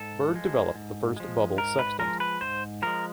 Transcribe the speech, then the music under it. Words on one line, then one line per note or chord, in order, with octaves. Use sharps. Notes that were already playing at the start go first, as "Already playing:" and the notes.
Byrd developed the first bubble sextant.
Already playing: G#2 A4
F3 G#3
G#2
F3 G#3
G#2 A#4
B4
F3 G#3 A#4
B4
G#2 C5
F3 G#3 A#4